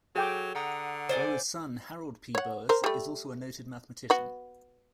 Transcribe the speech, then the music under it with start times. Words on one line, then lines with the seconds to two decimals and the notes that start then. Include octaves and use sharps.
Boas' son Harold P. Boas is also a noted mathematician.
0.16 F#3 G#4 A4 G5 D6
0.55 D3 F#5 A#5 D#6
1.09 C5 D5 G#5
2.35 C#5 F#5
2.69 A#4 C5
2.84 G3 A3
4.10 B3 F#4